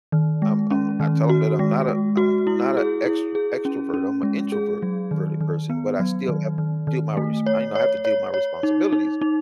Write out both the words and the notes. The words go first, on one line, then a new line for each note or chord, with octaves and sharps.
I'm I'm I tell them that I'm not a I'm not a extr extrovert. I'm a introvert ...verted person, but I still have deal my resp I, you know, I have to deal with my responsibilities,
D#3
G#3
C#4
D#3
F#4
G#3
G#3
F#4
E4
G#4
E4
G#4
C#4
C#4
G#3
G#4
F#3
D#3
D#3
B3
F#3
D#3
D#3
D#3
A3
C#5
C#5
C#5
C#5
D#4
D#4
D#4